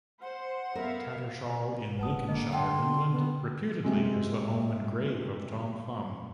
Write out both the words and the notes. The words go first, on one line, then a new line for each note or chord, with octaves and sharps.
Tattershall in Lincolnshire, England, reputedly has the home and grave of Tom Thumb.
C5 F#5
B3 A#4 E5 F5
F1 B4 F#5 A5 D#6
D3 A#3 D#5
F#5 G5 A5 C6
B3
C3 F#3 G#3